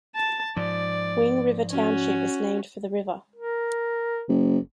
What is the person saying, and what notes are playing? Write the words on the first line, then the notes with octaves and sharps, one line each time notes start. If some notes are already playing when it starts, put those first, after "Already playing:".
Wing River Township is named for the river.
A5
G#2 F3 D5
C#4 F#4
A#4
F#1